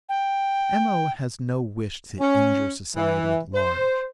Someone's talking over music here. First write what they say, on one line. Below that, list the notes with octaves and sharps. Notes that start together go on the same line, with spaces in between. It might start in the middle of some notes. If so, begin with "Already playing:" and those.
M.O. has no wish to injure society at large.
G5
C#4
E3
C5